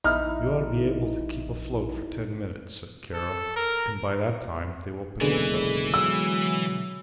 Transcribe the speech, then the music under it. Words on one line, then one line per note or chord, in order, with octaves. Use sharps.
"We ought to be able to keep afloat for ten minutes," said Kara, "and by that time they will pick us up."
A#1 D#4 E4 F6
A4
A#4
F#1 B2 D3 E3 G#3
F#3 E6